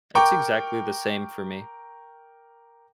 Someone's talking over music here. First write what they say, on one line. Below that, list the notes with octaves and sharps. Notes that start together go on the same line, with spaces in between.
It's exactly the same for me.
A#4 G5 C#6 D6